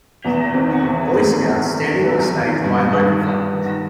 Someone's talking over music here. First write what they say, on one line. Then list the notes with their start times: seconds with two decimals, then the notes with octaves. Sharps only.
Boy Scouts standing on a stage by a microphone.
0.25 E2 B3
0.54 D#3 C4
0.84 E2
1.14 D#3 B4
1.43 E2 A4
1.74 D#3
2.03 E2 B4
2.33 D#3
2.64 G2
2.93 D#3 B4
3.24 G2
3.53 D#3